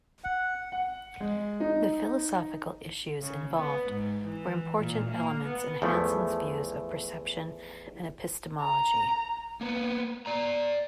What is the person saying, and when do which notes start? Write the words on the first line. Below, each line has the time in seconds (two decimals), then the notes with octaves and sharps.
The philosophical issues involved were important elements in Hanson's views of perception and epistemology.
0.24 F#5
0.72 F#5
1.20 G#3
1.60 D#4
3.21 C#3
3.55 B3
3.90 G#2
4.25 E3
4.81 A#2
5.10 A#3
5.45 B3
5.82 E2 F3 A3
8.60 A#5
9.61 A#3 B3
10.26 D5 A#5